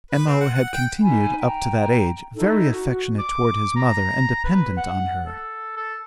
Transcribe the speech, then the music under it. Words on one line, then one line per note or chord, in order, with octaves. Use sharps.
M.O. had continued up to that age very affectionate toward his mother and dependent on her.
B4
C4
F#5
F#5
G5
D#4 G#5 B5
G5 A#5
D#4 E4 A4
F#4
D6
A#5
B4
F#5
A4
A4